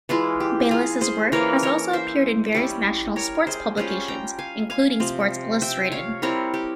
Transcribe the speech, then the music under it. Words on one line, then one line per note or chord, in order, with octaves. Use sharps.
Bayless's work has also appeared in various national sports publications, including "Sports Illustrated".
E3 G#3 E4 F4
G4
F4 G#4
G#4 C5
E3 A#3 C#4 A#4 C#5
A#4 C#5
C5 E5
G3 C#4 E4
A#4 C#5
G#4 C5
G3 C#4 F4 G#4 C5
G5 A#5
F5 G#5
F5 G#5
C3 F3 C4
E5 G5
C#5 F5
G3 C4 E4 A#4 C#5
G4